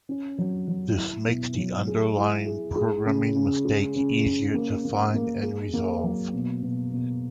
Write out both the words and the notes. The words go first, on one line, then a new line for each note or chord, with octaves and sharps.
This makes the underlying programming mistake easier to find and resolve.
C#4
F#3
F#3
E4
B2
F#3
G#4
E4
G#4
G#3
C#3
C#3
G#3
C#3
C#3
A#3
A#3
A#3
G#4
A#3
F#3
B2
B2
B2